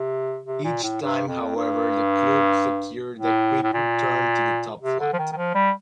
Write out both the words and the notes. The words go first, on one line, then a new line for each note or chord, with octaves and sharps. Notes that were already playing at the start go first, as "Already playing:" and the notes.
Each time, however, the club secured a quick return to the top-flight.
Already playing: C3
C3
A#2
A2
G2
F2
G2
A2
A2
A#2
C3
D3
F3
D#3
D#3
F3
G3